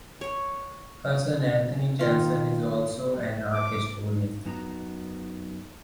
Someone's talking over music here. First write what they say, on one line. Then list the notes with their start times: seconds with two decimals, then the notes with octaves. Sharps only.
Her son Anthony Janson is also an art historian.
0.21 C#5
1.99 D#3 F4 F5
3.53 D6
4.46 F#2 B3 D#4 F#4 A#5